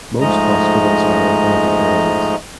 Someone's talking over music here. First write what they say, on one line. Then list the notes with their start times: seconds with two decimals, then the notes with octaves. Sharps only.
Most hospitals are in urban areas.
0.21 G#2 F3 G#3 A3 D#5 A#5